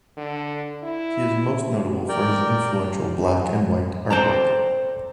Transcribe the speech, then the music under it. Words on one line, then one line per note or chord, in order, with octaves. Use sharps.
He is most notable for his influential black-and-white artwork.
D3
E4
A#4 D5 G5
C4 A4 C5 D5 A#5